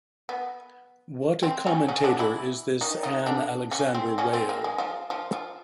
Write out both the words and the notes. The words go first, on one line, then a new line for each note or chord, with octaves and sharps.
What a commentator is this "Ann Alexander" whale.
B3
C4
C#3 C#4
C#3 C#4
D3 D4
E3 E4
D#3 D#4
D#3 D#4
D3 D4
C#3 C#4
C4
C#3 C#4
C4
A#3
G#3
F3
F3
F3